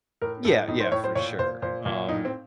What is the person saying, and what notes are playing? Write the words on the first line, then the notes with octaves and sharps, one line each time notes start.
Yeah, yeah, for sure, um,
A2 A#4
A2 A4
A2 D#4
C5
A2 C#5
C5
A#2 C#5
A#2 C5
A#2 C5
A#2
A2 D#4
C4